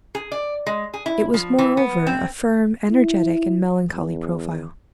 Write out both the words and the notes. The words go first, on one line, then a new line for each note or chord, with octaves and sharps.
It was, moreover, a firm, energetic, and melancholy profile.
G#4
D5
G#3
G#4
E4
F3
E3
B3
C4
E4
E2